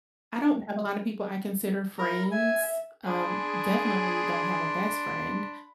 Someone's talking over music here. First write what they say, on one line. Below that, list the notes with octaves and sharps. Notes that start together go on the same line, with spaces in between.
I don't have a lot of people I consider friends. Um, definitely don't have a best friend.
E4 A#4 A#5
E5 G#5
D4 G#4 B5 C6